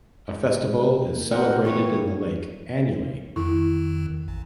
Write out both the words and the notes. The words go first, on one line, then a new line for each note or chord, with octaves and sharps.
A festival is celebrated in the lake annually.
G#3
A#3
B3 C4 A#4 F#5
G2 E3 A#3 C#5
F2 D#3 E4
A1